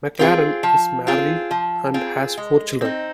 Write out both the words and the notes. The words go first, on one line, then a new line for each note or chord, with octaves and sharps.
McLaren is married and has four children.
C4 F4 G#4
F3
C4 F4 G#4
F3
C4 F4 G#4
G#3
C4 D#4